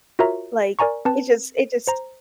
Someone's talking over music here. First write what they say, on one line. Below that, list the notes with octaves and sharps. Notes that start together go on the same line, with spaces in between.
like, it just it just
F4 F#4 A#4 C#5 E5 A#5
A#4 D5 G#5 A#5 C#6
C4 B4 A5
C5 A#5